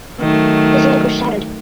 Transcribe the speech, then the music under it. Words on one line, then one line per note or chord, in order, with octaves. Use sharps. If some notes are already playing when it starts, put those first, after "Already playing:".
His leg was shattered.
D#3 F#3 A3